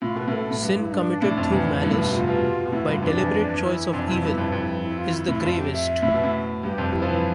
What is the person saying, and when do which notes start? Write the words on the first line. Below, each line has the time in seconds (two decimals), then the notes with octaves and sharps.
Sin committed through malice, by deliberate choice of evil, is the gravest.
0.02 A2 F4
0.15 B2 B4
0.28 A2 A4
0.51 A2
0.62 G2
0.78 E4
0.92 D4
1.22 A2 D4
1.37 F2
1.52 E2
1.67 F2
1.82 G2 E4
1.91 A2
1.97 B2
2.12 C3 F4
2.28 B2
2.66 B2
2.72 A2 E4
2.87 G2 F4
3.02 F2 D4
3.17 E2
3.63 E4
3.93 F2 D4
4.07 F2 E4
4.23 G2 E4
4.38 F2
4.52 F2 F4
4.57 E4
4.83 E4
4.98 F4
5.13 E4
5.28 A2 E4
5.43 F2 F4
5.58 G4
5.73 E5
6.02 A2
6.14 B2
6.24 A2
6.63 G2 G4
6.78 F2
6.93 E4
7.02 F3
7.08 E3 E4